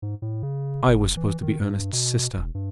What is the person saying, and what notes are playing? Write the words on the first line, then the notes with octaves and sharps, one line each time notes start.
I was supposed to be Ernest's sister.
G#2
A2
C#3
F#1
E3
D#3
G2
B2
E1
G2